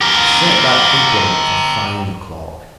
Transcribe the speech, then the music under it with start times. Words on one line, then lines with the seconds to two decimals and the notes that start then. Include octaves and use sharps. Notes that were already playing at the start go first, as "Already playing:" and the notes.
I've set that implement for five o'clock.
0.01 G4 A#4